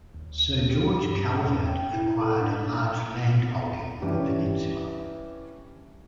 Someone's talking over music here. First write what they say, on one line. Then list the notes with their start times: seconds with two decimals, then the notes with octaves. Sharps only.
Sir George Calvert acquired a large land holding on the peninsula.
0.14 D#2
0.71 G4
1.03 G2
1.45 E2
1.66 G5
1.93 E4
2.21 A4
2.41 D4
4.02 E3 G3 C#4 D4 G4